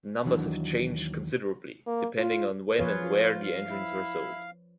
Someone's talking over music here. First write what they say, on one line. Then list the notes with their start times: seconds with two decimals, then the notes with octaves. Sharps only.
The numbers have changed considerably, depending on when and where the engines were sold.
0.25 D#2 E3 F#3 D4
1.87 A#3
2.18 F4
2.79 F3 F4 G#4 B4 C#5
3.43 F5
3.68 E4